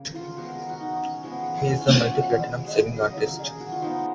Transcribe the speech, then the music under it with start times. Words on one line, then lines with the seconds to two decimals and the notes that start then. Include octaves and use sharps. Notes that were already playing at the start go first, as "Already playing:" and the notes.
He is a multi-platinum selling artist.
Already playing: C#3 A#3
0.15 F4
0.37 F3 G#3 B3 F#4
0.48 A#4
0.59 A#4
0.69 F#4
0.80 D#4
1.03 C#4
1.23 F3 G#3 B3
1.67 C#4
1.81 F4
1.95 F#4
2.10 F3 G#3 B3
2.53 G#4
2.67 B4
2.96 C#3 F#3 A#3 D#5
3.18 A#4
3.40 G#4
3.60 F#4
3.72 F4
3.82 F3 G#3 B3 D#4